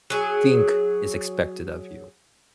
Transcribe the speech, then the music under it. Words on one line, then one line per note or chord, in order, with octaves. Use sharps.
think is expected of you.
F#3 G#4